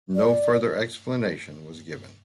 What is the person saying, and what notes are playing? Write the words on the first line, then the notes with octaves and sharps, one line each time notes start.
No further explanation was given.
D5